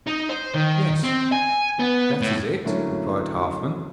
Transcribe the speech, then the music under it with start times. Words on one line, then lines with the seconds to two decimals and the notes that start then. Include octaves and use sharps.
'Yes, that is it,' replied Halfman.
0.07 D#4
0.29 C5
0.54 D#3
1.03 C4
1.32 G#5
1.79 B3
2.21 A2
2.65 A2 D3 F#3 A3 A#3 C#4